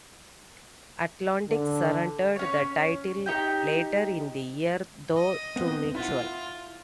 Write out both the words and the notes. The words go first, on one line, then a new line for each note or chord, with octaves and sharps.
Atlantic surrendered the title later in the year, though, to Mutual.
D3
C#4 C#5
D#4 G4 G5
D#5
B3 C4
E4 F4 F#5